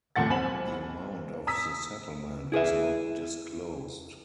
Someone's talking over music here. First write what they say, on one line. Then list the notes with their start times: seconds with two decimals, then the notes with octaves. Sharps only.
The amount of the settlement was not disclosed.
0.16 F1 D#2 A#2 A3 F#5 A6
0.30 B1 C4 G#5 B5 E7 F#7
1.47 A#5 D#6 E6 B6
2.52 E4 G#4 B4 E5